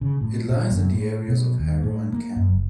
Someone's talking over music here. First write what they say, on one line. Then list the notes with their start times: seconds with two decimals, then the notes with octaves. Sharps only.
It lies in the areas of Harrow and Kenton.
0.01 C#3
0.21 A2
0.49 A#2
0.71 F#2
0.93 A2
1.28 B2
1.59 D#2
1.83 A2
2.13 A#3
2.36 F#2
2.49 F#1